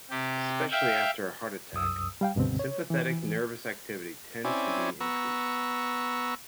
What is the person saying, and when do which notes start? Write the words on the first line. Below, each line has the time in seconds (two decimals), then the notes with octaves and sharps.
Especially after a heart attack, sympathetic nervous activity tends to be increased.
0.10 C3 G4
0.72 E5 F5 G5
1.73 C2 F#2 D#6 E6
2.21 G3 F5 G5
2.35 C#2 G2 B2 D3 C4
2.59 C#5
2.90 E3
4.45 C4 C#4 E4 D5 G#5
5.00 B3 A#5 C#6 E6